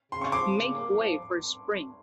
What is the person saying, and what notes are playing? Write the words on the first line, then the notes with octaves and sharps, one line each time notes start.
Make way for spring!
C#3 C6
C#6
F3 C6 D6
C#3
A#3
F3